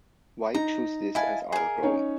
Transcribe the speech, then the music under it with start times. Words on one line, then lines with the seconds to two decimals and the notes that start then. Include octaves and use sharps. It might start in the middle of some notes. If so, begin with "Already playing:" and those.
Why choose this as our goal?
0.54 D#4 A#5
1.15 E4 D#5 F5 G#5 A5
1.52 G#4 A#4
1.83 C#4 D#4 C#5